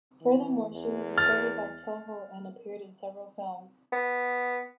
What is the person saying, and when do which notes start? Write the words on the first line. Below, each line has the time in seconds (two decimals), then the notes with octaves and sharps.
Furthermore, she was discovered by Toho and appeared in several films.
0.22 E3
0.72 E2
1.18 F6 A6
3.92 B3